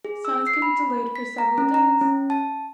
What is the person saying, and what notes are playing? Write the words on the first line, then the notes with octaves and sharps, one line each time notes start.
Signs can be delayed for several days.
G#4
E6
C7
B5
B6
A#5
C#4
A#5
C#4
A5